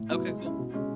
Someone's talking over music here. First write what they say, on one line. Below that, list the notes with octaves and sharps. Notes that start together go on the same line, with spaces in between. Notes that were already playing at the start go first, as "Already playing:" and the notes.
Okay. Cool.
Already playing: A2
F#3 B3 E4
G#3
C#4 E4
B2
G#3 C#4